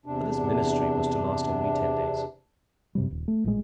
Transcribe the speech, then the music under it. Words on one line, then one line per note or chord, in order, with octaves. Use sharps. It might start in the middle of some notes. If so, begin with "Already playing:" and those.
But this ministry was to last only ten days.
E2 C3 D4
F#2 C3 G3
D#1
A3
A1 A#2 G3 G#3